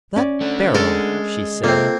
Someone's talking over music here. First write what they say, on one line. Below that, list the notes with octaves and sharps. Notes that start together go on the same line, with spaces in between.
'That barrel!' she said.
C#4 D5
A3 D4
G#3 A4 A#4
C3 A#3 C4 F4 A4